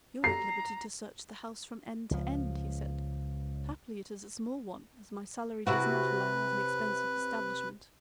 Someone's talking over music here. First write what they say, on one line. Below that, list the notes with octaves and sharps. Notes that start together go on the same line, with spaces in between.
"You're at liberty to search the house from end to end," he said. "Happily, it is a small one, as my salary does not allow of an expensive establishment."
A#5 C7
C#2 F3
C3 E4 F#4 B4